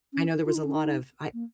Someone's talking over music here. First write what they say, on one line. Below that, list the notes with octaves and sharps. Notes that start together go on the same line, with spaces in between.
I know there was a lot of I
C#4
F4
D#4
C#4
D#4
A#3